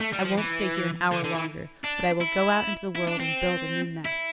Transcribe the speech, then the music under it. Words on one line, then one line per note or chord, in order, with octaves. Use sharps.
I won't stay here an hour longer, but I will go out into the world and build a new nest.
A3
G3
F3
E3
D3
D3
E3
D4
E4
E4
D4
C4
E4